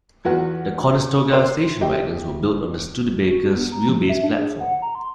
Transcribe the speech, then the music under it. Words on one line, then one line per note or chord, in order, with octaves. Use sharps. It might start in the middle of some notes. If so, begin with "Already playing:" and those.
The Conestoga station wagons were built on the Studebaker's wheelbase platform.
E2 F3 F#4 B4 F#5
C5 C6
G4 D#5 E5 G5
F#4
B3
A#5
F3
E5
D4
G#4
F#5
A#5
C6